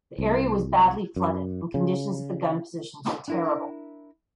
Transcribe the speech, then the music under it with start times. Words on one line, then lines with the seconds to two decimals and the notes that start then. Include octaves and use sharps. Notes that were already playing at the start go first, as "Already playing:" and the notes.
The area was badly flooded and conditions at the gun positions were terrible.
0.18 C2
1.16 F#2
1.74 C#3
3.28 D4 E4 A#4